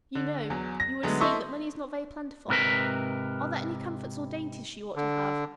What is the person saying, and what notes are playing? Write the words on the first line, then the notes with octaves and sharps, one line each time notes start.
'You know--you would see, that money is not very plentiful; are there any comforts or dainties she ought to have?'
D3
E2 F#3
A#6
D3 F#3 G#3 A3 B3
E4 A4 C5 D#5 E5 C#6
G#2 C3 A#4 B4
D3